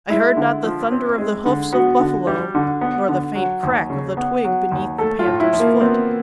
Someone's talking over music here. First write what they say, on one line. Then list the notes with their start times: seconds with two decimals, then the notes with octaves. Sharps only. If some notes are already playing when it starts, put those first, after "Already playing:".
I heard not the thunder of the hoofs of buffalo, nor the faint crack of the twig beneath the panther's foot.
0.10 G#3 E4
0.37 D3
0.64 F3
0.92 C4
1.18 G#3
1.46 D3
1.73 B3 F#4
1.99 D3
2.27 G3
2.55 D3
2.81 B3
3.09 D3
3.35 F#3
3.63 D#2
3.90 C#3
4.17 B3
4.44 F#3
4.72 D#2
4.98 A3 A4
5.19 F4
5.26 A2
5.40 E4
5.53 F3
5.60 A#3
5.81 B3 C4